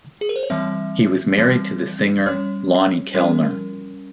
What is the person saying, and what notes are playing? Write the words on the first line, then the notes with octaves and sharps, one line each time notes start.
He was married to the singer Lonny Kellner.
G#4
A#4
C5
C#5
E3 G3 C4 E5
E3 G3 C4
G3 C#4 C#5
G3 C#4 A#4